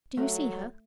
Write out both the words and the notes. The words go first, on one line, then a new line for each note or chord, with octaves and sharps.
Do you see her?'
F#3 A3 A4